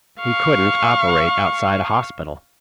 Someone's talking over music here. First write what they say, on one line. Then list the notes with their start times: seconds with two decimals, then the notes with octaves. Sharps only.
He couldn't operate outside a hospital.
0.20 F5 C#6